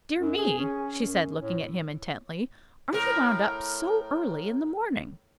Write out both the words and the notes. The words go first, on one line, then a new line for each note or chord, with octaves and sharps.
"Dear me!" she said, looking at him intently; "are you wound up so early in the morning?"
F#2
G#4
C#4
F#2
A2
A2 A#4